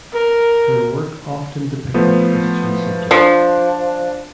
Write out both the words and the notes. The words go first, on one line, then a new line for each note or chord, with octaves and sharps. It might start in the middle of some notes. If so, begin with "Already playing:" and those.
Her work often depicted Christian subjects.
A#4
F3 A3 B3
F3 D4